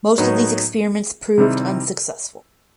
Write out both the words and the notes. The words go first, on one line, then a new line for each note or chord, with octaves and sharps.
Most of these experiments proved unsuccessful.
A2 F#3 B3 D#4
C3 D#3 G3 C4 E4